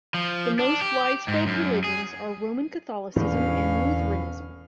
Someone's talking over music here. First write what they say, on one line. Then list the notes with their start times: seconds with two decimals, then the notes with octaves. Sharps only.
The most widespread religions are Roman Catholicism and Lutheranism.
0.14 F3
0.59 D4
0.81 G4
1.28 G#2
1.47 F#2
1.84 G#4
3.16 E1 E2 A2 D3 C#4 F5